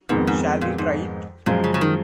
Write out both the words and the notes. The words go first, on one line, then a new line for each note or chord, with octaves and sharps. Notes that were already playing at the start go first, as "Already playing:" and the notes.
Shall we try it?
F2 G#2 D#3 G#3 B3
G#2
A#2
G#2
F#2 A#2 F3 G#3
C#3
C#3
D#3